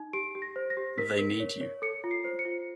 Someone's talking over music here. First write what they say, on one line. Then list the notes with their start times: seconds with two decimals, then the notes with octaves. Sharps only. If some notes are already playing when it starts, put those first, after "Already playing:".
They need you.
Already playing: D#4
0.13 G4 D7
0.35 G4
0.42 A#6
0.56 C5
0.70 A#6
0.77 G4
0.98 A#4 B6
1.19 A#4
1.40 C#5
1.61 C#5
1.82 A4 C#7
2.04 F4
2.11 C7
2.24 C5
2.39 C#7
2.45 F4